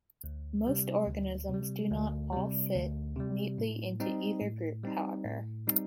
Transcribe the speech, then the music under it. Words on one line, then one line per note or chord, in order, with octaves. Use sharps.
Most organisms do not all fit neatly into either group, however.
D2
C3 G3
D2
C3
G3
D2
C3 G3
D2
C3 G3
A2
G3 C4 D#4
A2
G3 C4 D#4
A2
G3 C4 D#4